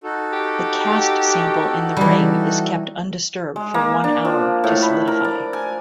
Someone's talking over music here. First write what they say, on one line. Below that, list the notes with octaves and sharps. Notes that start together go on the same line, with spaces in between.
The cast sample in the ring is kept undisturbed for one hour to solidify.
D#4 F#4 A4
G4
E3 G3
G#3
A#3
D4
F3
A2
B5
A#4
D5
G#5